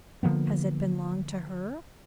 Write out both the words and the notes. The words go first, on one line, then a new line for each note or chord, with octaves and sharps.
Has it been long to her?
D3 F3 A#3 B3